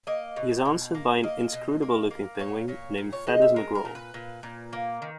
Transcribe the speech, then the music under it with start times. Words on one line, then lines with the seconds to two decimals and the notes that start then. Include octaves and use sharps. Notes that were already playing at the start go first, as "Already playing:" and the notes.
He is answered by an inscrutable looking penguin named Feathers McGraw.
0.07 A#3 D#5
0.36 B2
0.65 B2
0.95 A#3
1.23 A#3 D#5
1.52 B2
1.82 A#3
2.11 A#3
2.39 A#2 C#5
2.68 A#2 C#5
2.98 A#2
3.13 C#5
3.27 G#3 D#5
3.42 E5
3.56 G#3 A#4
3.75 A#4
3.85 A#2
3.95 B4
4.14 A#2
4.43 A#2
4.73 A#3
5.02 D#3